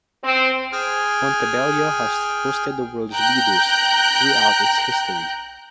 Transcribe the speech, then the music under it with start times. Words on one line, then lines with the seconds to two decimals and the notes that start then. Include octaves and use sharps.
Montebello has hosted the world's leaders throughout its history.
0.23 C4
0.72 G#4 G5 G#5 F6
3.13 G5 A#5 F#6 G6